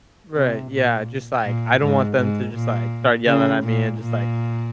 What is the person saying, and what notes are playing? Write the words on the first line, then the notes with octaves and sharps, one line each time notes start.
Right, yeah, just, like, I don't want them to just, like, start yelling at me and just, like
C3
A#2
A#2
G#2
G#2
A#2
C#3
A#2
A#2